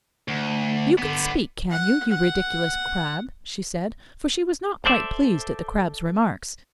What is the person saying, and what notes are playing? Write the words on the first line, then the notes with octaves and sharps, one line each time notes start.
You can speak, can you, you ridiculous crab?' she said, for she was not quite pleased at the Crab's remarks.
D2
D3 B3
F#5
F#5
A4 C5 D5 E5